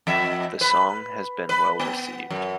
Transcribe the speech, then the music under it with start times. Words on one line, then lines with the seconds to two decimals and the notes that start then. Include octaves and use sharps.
The song has been well received.
0.07 F2 E5
0.61 B4
1.49 B4
1.79 B3
2.30 F#2